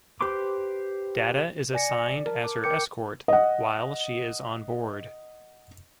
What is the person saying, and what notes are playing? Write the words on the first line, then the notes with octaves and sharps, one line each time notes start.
Data is assigned as her escort while she is on board.
G4 B4 C5 C6 D6
D5 G#5 A#6 C#7
D5
A#4 A5
D6
A#4 G5 D6 G6 C#7
D#5 F#5